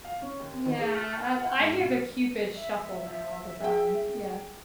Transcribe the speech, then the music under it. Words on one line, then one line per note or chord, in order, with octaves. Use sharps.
Yeah, I I hear the Cupid shuffle now all the time, yeah.
F5
C#4
D#2
D#3
G#4
F6
F#5
G#2
B2
E5
G#4 G5